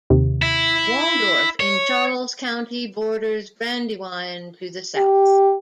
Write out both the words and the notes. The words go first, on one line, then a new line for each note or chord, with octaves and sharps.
Waldorf in Charles County borders Brandywine to the south.
D#2 C3
E4
C#5
G4